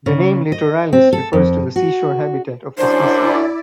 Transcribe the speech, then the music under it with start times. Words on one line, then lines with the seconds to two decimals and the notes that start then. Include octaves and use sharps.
The name "litoralis" refers to the seashore habitat of the species.
0.06 C#3
0.52 D#5
0.93 C4
1.13 A4
1.33 F2
1.76 F#4
2.78 F#2 D4 E4 C5 D5